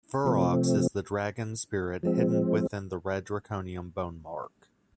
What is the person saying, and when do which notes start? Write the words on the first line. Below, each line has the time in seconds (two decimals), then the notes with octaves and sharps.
Furox is the dragon spirit hidden within the red draconium bonemark.
0.24 C3 F3 A3 C4
2.03 F3 G#3 C4